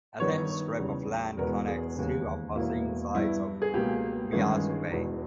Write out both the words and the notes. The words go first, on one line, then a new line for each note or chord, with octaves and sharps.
A thin strip of land connects two opposing sides of Miyazu Bay.
G2 D#3 G3 B3 C#5
E2 C#3 G3
E1 E2 B2 G#3 B3 A#4
G#4
E1 D#2 C#3
E1 E2 B2 A#3 E4
G2 G3 B3 E4
G#4
C#2 B2 A#3 G4
G1 G2 D#3 G#3 C#4 G#4
E1 E2 B2